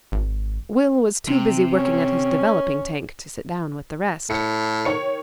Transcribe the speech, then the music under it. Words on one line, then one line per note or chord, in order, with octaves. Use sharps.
Will was too busy working at his developing tank to sit down with the rest.
G#1
C3
C#4
A2 C#7
D#3 C#5 C#7